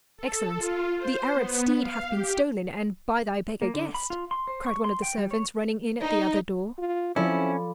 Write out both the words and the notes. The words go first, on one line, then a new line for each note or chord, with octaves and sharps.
"Excellence, the Arab steed hath been stolen, and by thy beggar guest," cried one of the servants, running in at the other door.
A4
F4
C5
B3
F5
G4
A#3
D3
B5
F4
C6
C5
C#6
C6
G5
G3
C#5
D#4
F4
F3 C4 C#4 E4 A4 D5